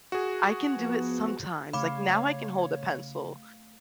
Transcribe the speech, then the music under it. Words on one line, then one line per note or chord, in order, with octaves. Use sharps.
I can do it sometimes, like, now I can hold a pencil,
F#4 G#4
F3 B3
C#3 A3 C#5 F5 B5 D6